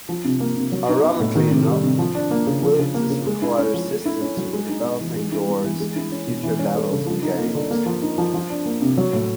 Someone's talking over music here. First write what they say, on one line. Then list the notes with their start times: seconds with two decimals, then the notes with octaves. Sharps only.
Ironically enough, Willits required assistance with developing doors in future levels and games.
0.09 F3
0.25 C3
0.40 A#3
0.56 C3
0.72 F#3
0.89 D#4
1.04 B3
1.20 A2
1.35 D#3
1.51 C3
1.67 G3
1.83 C3
1.99 F3
2.15 D4
2.31 A#3
2.47 C#3
2.62 F3
2.78 C#3
2.94 A#3
3.10 C#3
3.26 G#3
3.42 E4
3.58 C#4
3.74 F3
3.90 A3
4.06 E4
4.21 C#4
4.37 F#3
4.53 G#3
4.69 D#4
4.84 B3
5.01 E3
5.16 G#3
5.32 E4
5.48 B3
5.64 E3
5.80 G#3
5.96 E4
6.12 C#4
6.27 B2
6.43 E3
6.59 C#4
6.75 A3
6.91 C#3
7.06 F3
7.23 D#4
7.39 A#3
7.55 D3
7.71 A#3
7.86 F3
8.02 D#4
8.18 F3
8.34 F3
8.50 D4
8.66 A#3
8.82 C3
8.97 F#3
9.13 A2